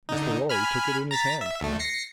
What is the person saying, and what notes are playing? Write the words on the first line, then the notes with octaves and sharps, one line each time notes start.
Mr. Lorry took it in his hand.
D3 D#4
G#5 B5 F6
A#5 A6 B6
E5
D2 A3
A#6 C7 C#7